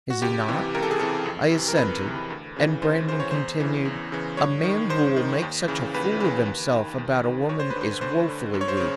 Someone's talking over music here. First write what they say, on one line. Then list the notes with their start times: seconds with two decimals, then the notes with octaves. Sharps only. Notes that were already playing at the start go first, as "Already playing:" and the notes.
Is he not?" I assented; and Brandon continued: "A man who will make such a fool of himself about a woman is woefully weak.
0.10 F#4
0.22 C#2 G4
0.48 C3 E3
0.75 C#2 A#4
0.83 A4
0.91 G#4
0.99 C3 E3 A4
1.26 F2
1.52 C3 E3
1.68 A#4
1.77 F2 B4
2.04 C3 E3
2.30 D2
2.56 C#3 E3
2.82 D2 C5
3.07 C#3 E3 C5
3.20 C#5
3.31 E2 C5
3.60 C#3 E3
3.85 E2
4.12 C#3 E3
4.37 G2 C#5
4.63 D#3
4.89 G2 C5
5.16 D#3
5.42 D#2
5.68 C#3 E3
5.94 D#2 B4
6.20 C#3 E3 B4
6.46 D#2
6.71 D#3
6.98 D#2
7.24 D#3
7.49 D2 C#5
7.60 C5
7.70 B4
7.76 D3 C5
8.01 D2 C5
8.28 D3
8.54 F#2
8.61 C#5
8.68 C5
8.77 C#3 C#5